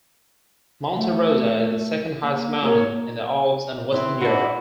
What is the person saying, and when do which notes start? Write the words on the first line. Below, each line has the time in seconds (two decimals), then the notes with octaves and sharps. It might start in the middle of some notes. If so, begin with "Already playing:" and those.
Monte Rosa is the second highest mountain in the Alps and western Europe.
0.96 A3
2.23 A#3
2.63 A#3 A#4 C#5
3.92 E3 C4 E4
4.21 A#2 D4 E4 F#4